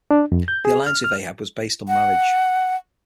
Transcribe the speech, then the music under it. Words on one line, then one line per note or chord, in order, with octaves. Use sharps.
The alliance with Ahab was based on marriage.
D4
F2
G6
G#4
F6
F6
F#5